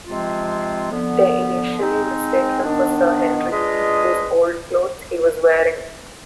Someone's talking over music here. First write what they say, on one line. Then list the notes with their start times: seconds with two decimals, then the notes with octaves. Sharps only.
They initially mistake him for Sir Henry, whose old clothes he was wearing.
0.05 C3 F3 G#3 C4 F4
0.91 D3 F3 B3
1.77 G#3 C4 D#4
2.63 D#3 B3 D4
3.50 G#3 D4 F4 B4 D#5